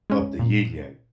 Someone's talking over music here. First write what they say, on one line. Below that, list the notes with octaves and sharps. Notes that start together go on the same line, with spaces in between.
up the ying-yang.
G#3 C#4
A#2